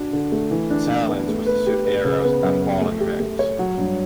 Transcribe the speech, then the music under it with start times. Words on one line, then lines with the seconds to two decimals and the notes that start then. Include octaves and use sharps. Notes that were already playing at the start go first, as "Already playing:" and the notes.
The challenge was to shoot arrows at falling rings.
Already playing: D4 F#4
0.13 D3
0.32 A3
0.51 E3
0.70 D4
0.90 E3
1.08 B3
1.28 A3
1.46 B4
1.67 G4
1.85 B4
2.04 C#3
2.24 B3
2.43 F#2
2.62 B3
2.81 A3
3.00 G4
3.20 A3
3.39 C#5
3.59 F#3
3.78 G2